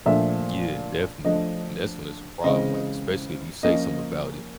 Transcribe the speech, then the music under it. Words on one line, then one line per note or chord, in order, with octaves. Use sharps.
Yeah, definitely, and that's when it's a problem, like, especially if you say something about it,
A#2 F3 A3 D4 E5
F3 A3 D4 D#5
C#3 E3 G#3 C4 D#5
F3 A#3 C#4 D#5